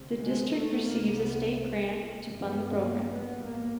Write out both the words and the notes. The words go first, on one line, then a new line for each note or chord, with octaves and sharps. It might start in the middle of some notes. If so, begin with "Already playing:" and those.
The District receives a state grant to fund the program.
Already playing: D2 C3
G#3
A3
C2 C3 A#3
B3
A#3
G#1 G2
B3
A#3
B3
A1 G#2 A#3